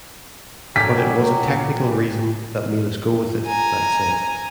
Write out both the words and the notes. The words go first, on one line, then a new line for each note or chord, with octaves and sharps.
But it was a technical reason that made us go with it, Knight said.
A#2 D3 F#3 G5 G#5 D6 B6
G#5 A#5